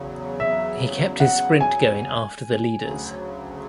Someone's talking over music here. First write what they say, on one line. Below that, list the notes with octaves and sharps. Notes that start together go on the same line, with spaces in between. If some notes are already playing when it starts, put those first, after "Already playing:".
He kept his sprint going after the leaders.
Already playing: E2 C#3 F#3
E5
F#5
G#5
D2 C#3 F#3